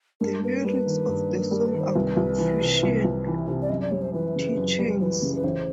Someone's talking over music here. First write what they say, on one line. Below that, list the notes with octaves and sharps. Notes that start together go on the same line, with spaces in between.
The lyrics of the song are Confucian teachings.
G2 A#4
A#3 B4
G3 B4
D#3
G2
A#3
G3 A#4
B4
D#3
C5
C2 B4
C2
E3
C3
C2
C2
E3
C3
D5
F#2 D#5
D5
G3 C#5
C5
E3 B4
C#3
F#2
G3
E3 B4 C5
C#3
B4
A1 C5